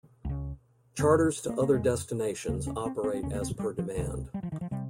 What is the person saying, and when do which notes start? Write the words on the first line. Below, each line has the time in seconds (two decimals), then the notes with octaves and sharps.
Charters to other destinations operate as per demand.
0.25 C#2 C#3
0.99 F2 C#3 C4
1.49 A#3
1.62 A#3
1.74 F2 C#3 G#3
2.48 D#2 C#3 A#3
2.67 C#4
2.86 C4
3.04 C4
3.14 C4
3.23 D#2 C#4
3.26 C#3
3.34 A#3
3.41 C4
3.59 G3
3.79 F3
3.97 C#2 C3 D#3
4.34 G3
4.43 F3
4.52 D#3
4.61 F3
4.71 C3 G3